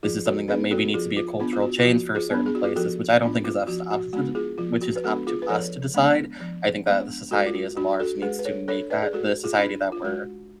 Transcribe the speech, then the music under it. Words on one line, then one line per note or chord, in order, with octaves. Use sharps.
this is something that maybe needs to be a cultural change for certain places, which I don't think is up to up to de which is up to us to decide. I think that the society as a large needs to make that the society that we're
F3 F4 G#4
F#4 A4
B3 D4 G#4 B4
F#4 A4
A4
F3 F4 G#4
F4
B3 D4 F4
F4
F#4
F4
F3 F#4
F4 G#4
B3 D4
G#4
F#4
F4 G#4
F3 F#4 A4
B3 D4 F4
F4
F3 F#4
F#4
G#3 B3 D4 F#4
F4 G#4
F3 F4
F#4
B4
G#3 B3 D4 F#4 A4
F4 G#4
B4
F3 A4 C#5
G#3 B3 D4
F3
G#3 B3 D4
G#3 F#4 A4
F4
F#4
D4 F#4
F#4 A4
G#3 G#4 B4
B4
A4 C#5
D4 A4 C#5
B4 D5
G#4
G#3 F#4 A4
F4 G#4
D4
F4
G#3 F#4